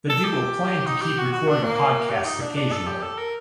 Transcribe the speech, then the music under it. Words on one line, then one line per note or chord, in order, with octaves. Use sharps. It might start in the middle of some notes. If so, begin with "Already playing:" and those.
The duo planned to keep recording podcasts occasionally.
A4
G4
D#4
G4
F#4
F#4
D4
A#3
G4
D#4
D4
D4
A4
G4
A4
A#4